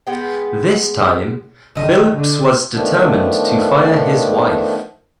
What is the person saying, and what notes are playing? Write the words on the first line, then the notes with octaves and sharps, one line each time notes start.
This time, Phillips was determined to fire his wife.
G#3 B3 G#4 G5
D#3 A3 D#5
D3 D4
D#3 F3 A3 B3 D4